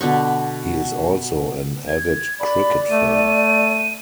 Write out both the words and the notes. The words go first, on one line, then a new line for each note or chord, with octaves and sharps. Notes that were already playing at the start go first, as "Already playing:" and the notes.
He is also an avid cricket fan.
B2 D3 B3 C#6
G#6
D5 B5
A3 D#7